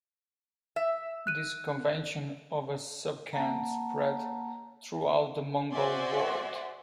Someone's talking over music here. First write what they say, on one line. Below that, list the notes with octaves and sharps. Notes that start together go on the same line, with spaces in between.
This convention of a sub-khan spread throughout the Mongol world.
E5
F#6 D#7
A#3 F#5 A5 A#5
F#4 C5 D5 E5 G#5 C6